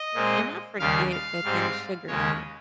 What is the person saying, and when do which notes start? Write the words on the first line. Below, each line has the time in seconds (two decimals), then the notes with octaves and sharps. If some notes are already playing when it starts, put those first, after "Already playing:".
and I forget that there's sugar in it
Already playing: D#5
0.14 A#2 G#3 C4
0.79 D#2 C#3 G3 F5
1.11 F5
1.43 G#2 G3 C4
2.07 D#2 C#3 G#3 C#5